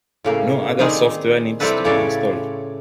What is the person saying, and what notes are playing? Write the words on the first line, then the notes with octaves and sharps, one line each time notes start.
No other software needs to be installed.
A2 C#3 A#3
D#3 G3 C4 D#4 G#4
C3 G3 C4 E4 A4 B4
A2 C#3 C#5 D5